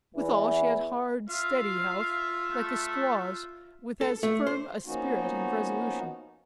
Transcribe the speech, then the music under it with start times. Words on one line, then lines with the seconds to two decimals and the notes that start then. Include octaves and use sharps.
Withal she had hard, steady health like a squaw's, with as firm a spirit and resolution.
0.16 E2 E3
1.29 F4 E5 F5
2.51 A3
4.01 A4
4.23 A3
4.47 C5
4.86 F3 A#3 B3 C#4 D#4 F#4